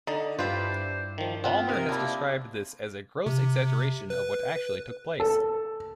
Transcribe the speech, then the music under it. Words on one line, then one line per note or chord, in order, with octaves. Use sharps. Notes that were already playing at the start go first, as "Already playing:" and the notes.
Ballmer has described this as a gross exaggeration of what actually took place.
D3 D#4 D5
G2 D4 E4 F4 G4 B4 C5
D#3 F3
B3 C4 F4 F#5
C3 D#4 A#4 G#6
F3 A#3 D4 E4
C3
B4
A4